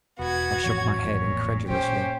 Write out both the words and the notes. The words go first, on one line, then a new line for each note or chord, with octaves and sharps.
I shook my head incredulously.
E1 B3 F#4 G#6
A1 F2 C#5
A#2
A#2 C#4 G4 C5